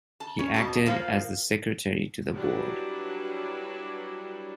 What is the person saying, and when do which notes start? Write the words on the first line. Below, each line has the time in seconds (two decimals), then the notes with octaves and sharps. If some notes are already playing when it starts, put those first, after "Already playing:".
He acted as the secretary to the board.
0.20 A5
0.39 C#4
0.54 F2 B2 A5
0.86 F3 A#3
2.33 F#3 G3 D4 E4 B4